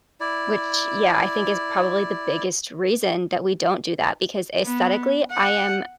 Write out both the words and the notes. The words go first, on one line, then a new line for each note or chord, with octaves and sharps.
Which, yeah, I think is probably the biggest reason that we don't do that because aesthetically, I am,
E4 D5
B3
F#5